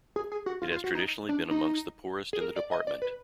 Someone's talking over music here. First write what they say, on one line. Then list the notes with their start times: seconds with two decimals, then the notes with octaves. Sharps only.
It has traditionally been amongst the poorest in the department.
0.16 G#4
0.32 G#4
0.46 F#4
0.62 F4
0.72 F4
0.84 F#4
0.95 D#4
1.29 D4
1.51 D#4
2.33 G#4
2.41 A#4
2.56 D5
2.71 D#5
2.87 D5
3.02 B4